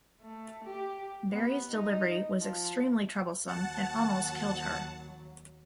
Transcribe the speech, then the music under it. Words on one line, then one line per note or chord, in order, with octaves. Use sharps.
Berry's delivery was extremely troublesome and almost killed her.
A3
G4
B3
D#4
F3
D#2 F#3 F#5 A5